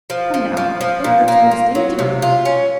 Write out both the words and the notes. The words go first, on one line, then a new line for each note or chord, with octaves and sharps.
Come now, don't let's waste any time.
F3
F3
F3
F3
A#2
A#3
F4
F#3
C3
F4
C#4